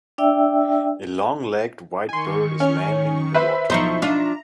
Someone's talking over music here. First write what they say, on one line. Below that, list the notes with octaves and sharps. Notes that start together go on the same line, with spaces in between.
A long legged white bird is landing in the water.
D4 D5 E5 G5 E6
D#3 G#5 C6 C#6
C#4 F6
B4 C5 E5 B5
B1 F3 D#4 E4 C5 C#6
D4 F4 A#5